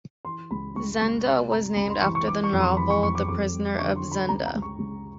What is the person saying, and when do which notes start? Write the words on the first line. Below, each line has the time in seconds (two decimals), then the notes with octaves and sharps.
Zenda was named after the novel "The Prisoner of Zenda".
0.25 E3 C6
0.51 C#2 B5
0.76 C#2 C#6
1.01 C#2 C#6
1.26 C3 C6
1.51 C3 A#5
1.76 C#2 B5
1.90 C6
2.01 E3 C#6
2.15 C#6
2.27 E3 D6
2.44 C#6
2.52 F2
2.60 C6
2.77 E3 B5
2.90 C#6
3.02 F2 C#6
3.15 D6
3.28 F2 D6
3.53 G3
3.79 D3 C#6
3.96 C6
4.04 D3
4.12 B5
4.29 C#2 A#5
4.46 A#5
4.55 C#2
4.62 C#6
4.79 C#2